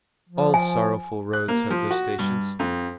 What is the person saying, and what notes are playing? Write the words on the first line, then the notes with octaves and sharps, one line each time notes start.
All sorrowful roads have their stations.
F3
G#5
F#6
A#3
F3
F#4
G2
F2